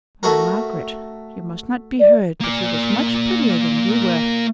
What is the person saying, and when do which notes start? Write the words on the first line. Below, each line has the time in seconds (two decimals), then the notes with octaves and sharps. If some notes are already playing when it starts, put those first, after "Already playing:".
'Why, Margaret, you must not be hurt, but he was much prettier than you were.
0.23 A3 F#4 A#4
2.00 D5
2.41 A#3 D5